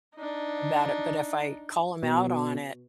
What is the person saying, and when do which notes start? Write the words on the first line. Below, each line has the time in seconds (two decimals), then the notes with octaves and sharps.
about it, but if I call 'em out on it,
0.16 D4 D#4
2.03 B2